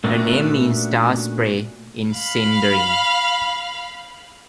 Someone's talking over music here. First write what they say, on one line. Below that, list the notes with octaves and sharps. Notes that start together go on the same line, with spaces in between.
Her name means "Star-spray" in Sindarin.
A#2 A3 B3 C#4 D4 F#4
F5 B5